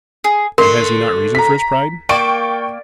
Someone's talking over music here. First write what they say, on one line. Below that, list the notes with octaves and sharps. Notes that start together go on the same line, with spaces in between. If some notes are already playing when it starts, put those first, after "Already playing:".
And has he not reason for his pride?
G#4
D3 A3 A#4 C6
A#5 B6
A#3 D5 G5 C#6 D7